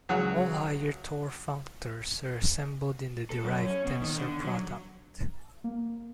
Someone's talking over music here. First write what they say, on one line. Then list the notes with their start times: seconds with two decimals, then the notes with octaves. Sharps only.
All higher Tor functors are assembled in the derived tensor product.
0.09 C#2 F#3 F#4 G#4 F#6
3.30 A4
3.43 F#2
3.64 C#4
3.85 B2
4.01 D#3
4.17 D3
4.44 F#3
5.64 A#3